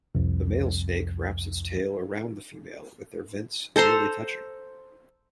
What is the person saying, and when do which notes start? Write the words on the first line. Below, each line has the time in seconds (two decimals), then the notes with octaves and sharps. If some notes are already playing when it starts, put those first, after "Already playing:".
The male snake wraps its tail around the female with their vents nearly touching.
0.15 C2 F2
3.76 A4 C5 A#5 C6